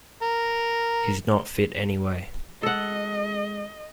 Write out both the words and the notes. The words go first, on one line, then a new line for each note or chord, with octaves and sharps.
He's not fit anyway.
A#4
G#3 A4 D#5 F#5